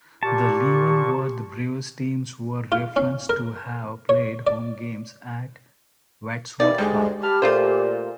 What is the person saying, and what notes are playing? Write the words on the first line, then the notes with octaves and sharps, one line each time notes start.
The Leavenworth Braves teams were referenced to have played home games at Wadsworth Park.
A#2 G4 A5 C#6
F4
C#4
A#4
C#5
D5
E3 G3 A#3 D#4 D5
D2 G3 G#3
G4 A5 B5 F6
A#2 A3 F4 C5